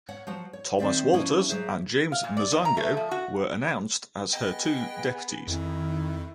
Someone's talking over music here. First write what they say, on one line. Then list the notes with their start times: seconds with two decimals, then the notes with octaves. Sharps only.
Thomas Walters and James Masango were announced as two her deputies.
0.09 C#5 F#5
0.27 F3 F#3 F#4 F#5
0.53 C#5
0.79 D#3 C4 D5 E5
1.14 F3 A#3 B3 C#4 E4
1.49 F#3 A#3 G#4 C5 E5
2.12 F5
2.24 A#2
2.37 D5
2.52 E2
2.65 A#5
2.77 A3
2.97 F3
3.11 F#4
4.33 B3 G#4 D#5 F#5 G5
5.48 F2 D#3 E4